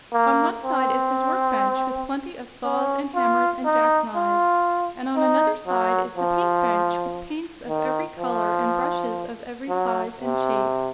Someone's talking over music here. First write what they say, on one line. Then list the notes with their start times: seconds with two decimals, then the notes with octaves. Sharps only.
On one side is his work-bench, with plenty of saws and hammers and jack-knives; and on another side is the paint-bench, with paints of every color and brushes of every size and shape.
0.12 A#3
0.63 C4
2.64 C#4
3.15 F4
3.65 D#4
4.15 F4
5.16 D#4
5.67 F#3
6.17 F3
7.68 D#3
8.18 F3
9.69 F#3
10.20 C3